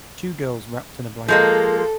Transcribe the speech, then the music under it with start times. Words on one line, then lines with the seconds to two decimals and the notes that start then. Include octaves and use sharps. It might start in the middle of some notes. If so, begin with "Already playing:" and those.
Two girls wrapped in a blanket.
1.28 F3 G#3 A#3 A4